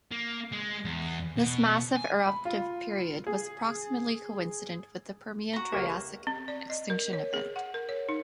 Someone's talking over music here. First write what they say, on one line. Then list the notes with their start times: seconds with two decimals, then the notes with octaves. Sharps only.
This massive eruptive period was approximately coincident with the Permian-Triassic extinction event.
0.11 A#3
0.53 G#3
0.85 E2
1.37 B2
1.96 G#5
2.27 B5
2.45 F4
3.27 G#4
5.53 F#4 A#5
5.72 C#2 A#3 G4 A#4 E5
6.27 C4
6.48 D5
6.70 D#5
6.90 A#4
7.13 C#5
7.34 G#4
7.56 F#5
7.74 A#4
7.89 C#5
8.09 D#4